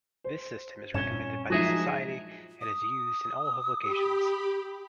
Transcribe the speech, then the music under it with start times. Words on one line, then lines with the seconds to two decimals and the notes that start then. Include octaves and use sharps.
This system is recommended by the society and is used in all publications.
0.24 C5
0.94 G2 A#2 C4 C#4 E7 G7
1.50 F3 F#3 G#3 D#4 F#4 G#4 E5
2.61 D#6
3.82 G4 B5